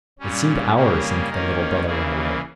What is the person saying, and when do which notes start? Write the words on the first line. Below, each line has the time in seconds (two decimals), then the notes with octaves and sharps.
It seemed hours since the little brother went away.
0.19 A#2 G3 C#4
0.74 C#3 G3 A#3 C#4
1.29 D#3 A#3 C#4 A#4
1.85 C#3 E3 A#3 G#4